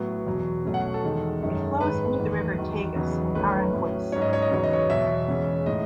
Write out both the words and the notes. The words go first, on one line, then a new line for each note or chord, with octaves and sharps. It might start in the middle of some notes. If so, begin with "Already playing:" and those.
It flows into the river Tagus in Aranjuez.
Already playing: A2 F#3 B3
E2 B2 F#3
B2 F#3 A3 C#4
F#5
A4
E2 D#3 G#3 D#4
F#2 D#3 G#3 C#4
G#2 D#3 G#3 B4
E2 D#3 A3
E2 D#3 F#3
E2 C#3 F#3 B3 D#4
D#3 A3 C#4 B4
A2 F#3 C#4
G#2 F#3 C#4 C#5
D#5
C#5
D#5
E2 C#3 F#3 B3 D#4 C#5
D#5
C#5
E2 B2 F#3 E5
E2 C#3 G#3 C#4
A2 G#3 D#4 D#5